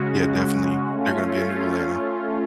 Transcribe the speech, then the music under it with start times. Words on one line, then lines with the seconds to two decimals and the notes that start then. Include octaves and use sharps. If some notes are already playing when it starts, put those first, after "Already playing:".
Yeah, definitely, there gonna be a new Atlanta.
Already playing: C#3 G#3 C#4 F#4
0.92 A3 C#4 F4